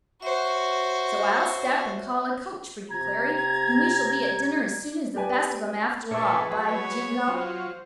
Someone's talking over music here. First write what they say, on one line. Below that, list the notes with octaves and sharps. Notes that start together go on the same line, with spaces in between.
So I'll step and call a coach for you, Clary, and we shall be at dinner as soon as the best of 'em after all, by jingo!
F#4 C5 C#5 E5
C3 A#5 G#6
G4 B4 D5 G#5
A#2 D4 G#4 A4 B4 C#5
F#3 C#5 B5
F#3 F4 C5